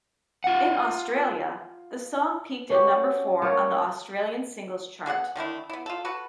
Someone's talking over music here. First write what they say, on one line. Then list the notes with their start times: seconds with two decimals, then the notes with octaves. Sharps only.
In Australia, the song peaked at number four on the Australian Singles Chart.
0.44 F4 F#5
2.70 C#4 F#4 G4
3.42 A3 A#3 C#5
5.06 B3 G#4 D#5 F#5
5.36 D3 D#3 A3 E4
5.70 B3 E4
5.86 F4 A4
6.05 F#4 A4 B4